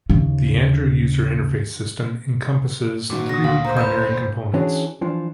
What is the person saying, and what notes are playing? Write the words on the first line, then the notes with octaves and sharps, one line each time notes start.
The Andrew User Interface System encompasses three primary components.
D#2 C#3
G#1 A#2 F#4 D6
D3 D#6 A#6
D2 F5
C5 A#5
B4 B5 G6
E3 C#4 D4 F#4 G#4
E3 F3 D4